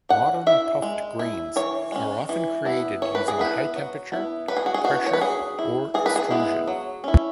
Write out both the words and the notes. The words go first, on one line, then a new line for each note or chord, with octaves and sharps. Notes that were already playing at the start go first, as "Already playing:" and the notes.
Modern puffed grains are often created using high temperature, pressure, or extrusion.
F#3 F#5
E4 E5
G#3
E4
E3 C#5
G#3 C#4
E3
B3 E4
E3 C#5
B4
G#4
B3 E4 B4
F#3
B3 E4
F#3 B4
G#4
F#4
G#4
B3 E4 F#4
C#5
B4
F#3 G#4
E4
E3 G#4
B4
G#4
G#3 B3 E4
F#3
C#4 E4